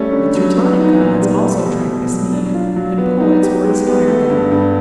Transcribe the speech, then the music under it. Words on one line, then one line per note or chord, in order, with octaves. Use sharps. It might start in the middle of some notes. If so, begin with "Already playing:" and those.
The Teutonic gods also drank this mead, and poets were inspired by it.
Already playing: G3 A3 C#4
D3
F#3
B3
D#4
A#2
G3
A3
B2
B2
F#3
D4
F4
F#3
B3
D#4
G4
G#3
B3
A3
G2
G2